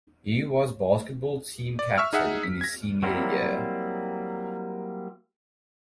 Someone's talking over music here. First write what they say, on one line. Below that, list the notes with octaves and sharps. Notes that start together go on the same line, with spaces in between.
He was basketball team captain in his senior year.
D5
E5 C#6 E6 F6
D#4 G#4 E5 F#5
B6
G#6 A#6
F#3 G3 A#3 C4 E4